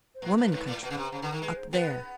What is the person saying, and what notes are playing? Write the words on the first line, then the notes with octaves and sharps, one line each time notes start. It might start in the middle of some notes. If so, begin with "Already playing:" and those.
"Woman Country--up there."
C5
A#2 B4
A2
G#2
A2
B2 B4
C#3
C3
C#3 C5
D3 B4
D#3 A#4
G#3 B4
C5
B3 B4